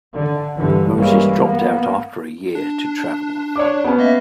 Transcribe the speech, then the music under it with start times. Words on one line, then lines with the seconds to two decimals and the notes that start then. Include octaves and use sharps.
Moses dropped out after a year to travel.
0.14 D3
0.56 G2 D3 E3
0.97 E3 G3 G#3 A#3 C#4
1.39 A#3 B3
2.55 D4
3.56 C#5 D5 D6
3.84 B3 C#4
3.98 A#3 D#5 E5